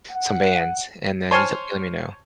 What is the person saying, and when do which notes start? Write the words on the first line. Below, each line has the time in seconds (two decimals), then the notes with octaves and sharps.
some bands, and then you just let me know.
0.10 F#5
1.31 C5 C#5 G#5 A5 C6 F6